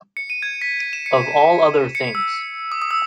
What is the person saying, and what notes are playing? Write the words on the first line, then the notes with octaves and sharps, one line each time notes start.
Of all other things.
C#7
D#7
G#6
B6
D#7
E7
C#7
C#7
E6
D#6
D#6
E6